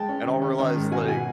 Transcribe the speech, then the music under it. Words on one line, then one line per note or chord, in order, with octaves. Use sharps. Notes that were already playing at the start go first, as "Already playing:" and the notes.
and I'll realize, like
Already playing: G#3 G5 A5
C#4
D#3
C#4
D#3
G#2
B2 F#5 G#5
B2 F#5 G#5